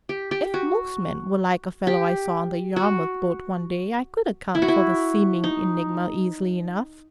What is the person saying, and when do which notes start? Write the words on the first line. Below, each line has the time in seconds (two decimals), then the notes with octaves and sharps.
If most men were like a fellow I saw on the Yarmouth boat one day, I could account for the seeming enigma easily enough.
0.09 G4
0.31 G4
0.54 F#4
1.87 G4
2.76 F#4
4.55 E4
4.62 F#4
4.68 E4
5.44 D#4